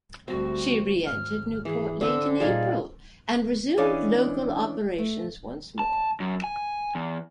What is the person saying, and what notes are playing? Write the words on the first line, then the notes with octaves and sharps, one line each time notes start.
She re-entered Newport late in April and resumed local operations once more.
D2 G3 A3 C4 F#4
G#1 F6
E3 G#4
D3 C4 E6
A#1 A#2 G3 D#4 F4 G#4 D5
E3 C#4 D4 D5 D#5 F5
A3
A5
F#2
G#5
E2